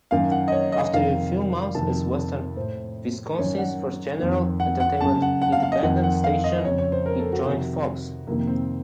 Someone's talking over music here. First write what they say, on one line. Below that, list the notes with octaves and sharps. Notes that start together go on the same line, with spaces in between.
After a few months as Western Wisconsin's first general-entertainment independent station, it joined Fox.
F#2 D#3 F5
F#5
D#5
C#5
D#5
F2 C3 D#3 F5
F2 C3 D#3 A5
A2 C5
F#2 D#3 C#5
F#5
F2 D#3
F#5
F#5
F#2 C#3 A5
F#5
F#5
F5
F5
D#5
F2 D#3 F#5
F#5
F5
D#5
F2 C#3 C#5
C#5
C5
A#4
A4
F#4
F2 C3 D#3
F2 C3 D#3 A#3
C4